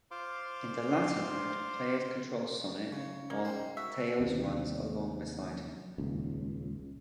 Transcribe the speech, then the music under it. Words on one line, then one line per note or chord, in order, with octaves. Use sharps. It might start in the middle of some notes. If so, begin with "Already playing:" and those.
In the latter mode, players control Sonic while Tails runs along beside him.
F4 C5 F5 C6 D6
C#3
A#3
G3 C5
F#4 E5
D#2 C3 E3
D#1 C#2